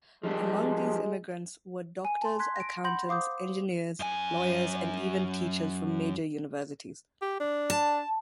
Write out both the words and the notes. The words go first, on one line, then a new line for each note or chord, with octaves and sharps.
Among these immigrants were doctors, accountants, engineers, lawyers and even teachers from major universities.
F3 G3 G#3 D4
G#5
A5 C6
C6 F#6 G#6 B6
A#6 D7
F#5 B5 C6 G6 A#6 F#7
C5 F5 D6 D#6 G6
F#2 G#5
G4
D4
A5